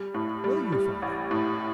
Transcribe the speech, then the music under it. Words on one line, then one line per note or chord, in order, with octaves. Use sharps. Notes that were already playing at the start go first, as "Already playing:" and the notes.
'Will you, father?
Already playing: G3
A2
G3
G3
A1
A2